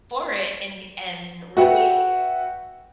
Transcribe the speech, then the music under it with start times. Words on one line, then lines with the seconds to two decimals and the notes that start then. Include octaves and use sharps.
for it and and really
1.57 F#4 B4 E5 F#5 G5